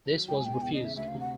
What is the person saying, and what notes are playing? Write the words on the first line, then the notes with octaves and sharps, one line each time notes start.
This was refused.
F#3
C#2 G5
G#5
B2 G5
G#5
E2 G5
D#5
C#3 E5
D2 E5
F5
C3
F#5